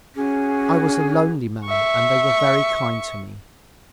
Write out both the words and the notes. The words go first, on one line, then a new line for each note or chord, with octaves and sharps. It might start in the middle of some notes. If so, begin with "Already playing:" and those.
I was a lonely man, and they were very kind to me.
C#4 F#4 G#4 D6
E5 C#6